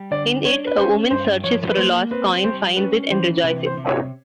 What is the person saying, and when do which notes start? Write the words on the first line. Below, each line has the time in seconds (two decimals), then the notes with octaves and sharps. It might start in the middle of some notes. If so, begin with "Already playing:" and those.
In it, a woman searches for a lost coin, finds it, and rejoices.
Already playing: G3
0.11 D3 D5
0.45 D4 C#5
0.67 B4
0.78 C#4 C5
1.10 G2 C5
1.44 F3 C#5
1.71 B4
1.77 A#3 C5
2.11 C4 B4
2.44 G3 C5
2.77 C#4 B4
3.10 E3 C5
3.43 C3 B4
3.66 C5
3.77 C3
3.88 C#5